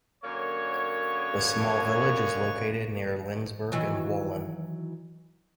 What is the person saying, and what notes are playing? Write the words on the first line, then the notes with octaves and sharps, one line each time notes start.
The small village is located near Lenzburg and Wohlen.
F#2 D3 A#3 C#5
D#3 E3 F#3